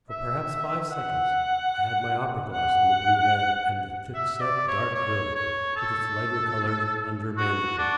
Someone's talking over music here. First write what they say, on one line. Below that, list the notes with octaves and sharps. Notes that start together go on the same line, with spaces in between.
For perhaps five seconds I had my opera-glass on the blue head and the thick-set, dark bill, with its lighter-colored under mandible.
E5
F#5
F#5
E5
D5
C#5
C#5
C#5
A4
F#4
D4